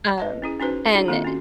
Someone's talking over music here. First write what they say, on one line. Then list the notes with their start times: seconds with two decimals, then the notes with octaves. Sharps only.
Um, and
0.18 B4 D#5 A5
0.42 C#4 E4 G#4
0.60 C#4 D#4 F#4 B4 C5
0.92 D4 E4 F#4 G#4
1.08 D#3 A#3 C4 F4
1.24 C#4 F#4